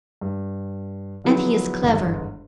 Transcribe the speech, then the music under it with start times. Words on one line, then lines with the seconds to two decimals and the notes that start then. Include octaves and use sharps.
And he is clever.
0.21 G2
1.24 D3 F3 F#3 G#3 B3 E4
1.83 G1 E2 G#2